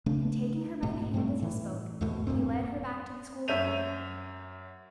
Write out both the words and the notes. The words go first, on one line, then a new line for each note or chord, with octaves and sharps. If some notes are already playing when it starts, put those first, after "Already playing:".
And taking her by the hand as he spoke, he led her back to the school-room.
C#3 A3 D4
G#2 B2 A3
G2 A#2 G3 A3
A2 E3
D#2 G#2 B2 A3
E1 G2 A#2 C4
F#2 C#5 E5 G6 D#7 F7